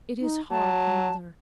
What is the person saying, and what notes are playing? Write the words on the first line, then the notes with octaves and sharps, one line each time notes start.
It is hard, mother.'
D#4
F#3 A5